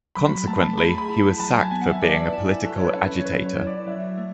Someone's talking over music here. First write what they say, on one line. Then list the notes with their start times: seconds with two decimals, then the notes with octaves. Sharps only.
Consequently, he was sacked for being a political agitator.
0.15 F#3 B5
0.47 A3 A5
0.77 G#4 B5
0.98 B5
1.09 E4
1.39 F#3 A5
1.60 G#5
1.71 B3 G#5
1.81 F#5
1.91 E5
2.01 B4 D5
2.22 D5
2.33 E4
2.64 F#3 A4
2.77 C#5
2.85 B4
2.95 C#4
3.17 C#5
3.25 F#3 B4
3.46 C#5
3.56 E4
3.67 D5
3.87 F#3 E5
4.18 A3